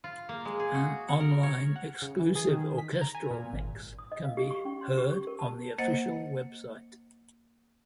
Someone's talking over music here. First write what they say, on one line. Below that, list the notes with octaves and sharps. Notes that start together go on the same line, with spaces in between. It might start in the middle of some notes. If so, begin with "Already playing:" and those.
An online exclusive "orchestral" mix can be heard on the Official website.
F4
A#3
G#3
G#4
F#4
F#5
A#4
C#5
F#5
C#3
E3
G#4
D#3
B6
A#5
G#5
A#2
G#1
D#6
D#5
F5
G4
C#6
C#4
C6
G4
C#6
A#4
A5
A#3 C5 D#5 F#5 A6